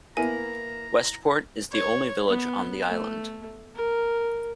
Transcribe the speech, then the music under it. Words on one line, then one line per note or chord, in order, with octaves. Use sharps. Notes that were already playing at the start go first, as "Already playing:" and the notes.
Westport is the only village on the island.
A#3 B3 E4 G#5 A#5
C#5
B3
A3
A#4